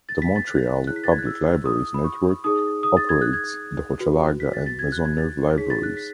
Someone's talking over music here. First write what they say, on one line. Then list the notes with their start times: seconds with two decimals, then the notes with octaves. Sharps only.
The Montreal Public Libraries Network operates the Hochelaga and Maisonneuve libraries.
0.09 A6
0.22 B6
0.36 A6
0.48 F#6
0.87 E4 G#4 C#5 F#6
0.96 B6
1.04 A6
1.12 G#6
1.19 F#6
1.26 E6
1.65 D#6
1.94 B5
2.04 C#6
2.44 D#4 G#4 C#5 D#6
2.83 D#6
2.97 A6
3.09 G#6
3.22 F#6
3.33 G#6
4.00 F#4 B4
4.40 B6
4.53 A6
4.66 A6
4.79 G#6
4.92 F#6
5.05 G#6
5.18 A6
5.57 D#4 G#4 C#5 B6
5.70 A6
5.83 F#6
5.97 B6